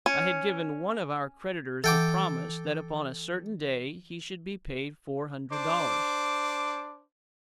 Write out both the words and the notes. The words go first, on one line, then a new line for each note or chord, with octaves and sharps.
I had given one of our creditors a promise that upon a certain day he should be paid four hundred dollars.
C#4
E3 A4 F#5 G5 D6 G6
D4 C5 D6